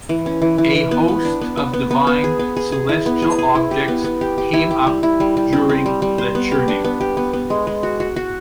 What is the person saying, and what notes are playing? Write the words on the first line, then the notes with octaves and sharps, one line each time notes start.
A host of divine celestial objects came up during the churning.
E3
C#4
E3
E3
E3
B3
B3
D4
B3
B3
B3
B3
B3
G#4
B3
G#4
G#4
E4
B3
G#4
G#4
E4
G4
B3
B3
G4
G4
E4
G4
G3
E4
G3
G3
C4
C4
G3
G3
C5
B3
G4
D4
B3
G4
B3
B3
G#3
G#3
F#4
F#4
F#4